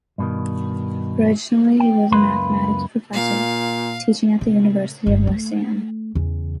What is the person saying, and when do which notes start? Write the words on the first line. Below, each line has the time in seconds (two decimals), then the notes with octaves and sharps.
Originally he was a mathematics professor, teaching at the University of Lausanne.
0.18 G2 B2 D#3
1.80 G5
2.12 C#2 F#2 A#3 F4 B4 C6
3.13 A#2 F5
4.41 C3
5.06 G1
5.27 A3
6.15 E2 C#3